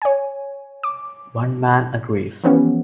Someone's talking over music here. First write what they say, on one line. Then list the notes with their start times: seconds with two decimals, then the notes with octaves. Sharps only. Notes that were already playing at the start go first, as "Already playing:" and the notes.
One man agrees.
0.02 C#5 G#5
0.83 D6
2.44 E3 F3 B3 C#4 G4